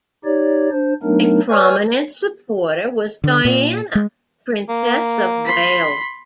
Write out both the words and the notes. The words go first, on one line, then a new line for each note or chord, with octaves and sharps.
A prominent supporter was Diana, Princess of Wales.
D#4 G4 C#5 D5
D4 C5
F#3 A3 B3 D4 D#4 A#4
B4 C#5 D5 G#5 C#6 F6
D3
A#2
G#3
A#3
B5 C6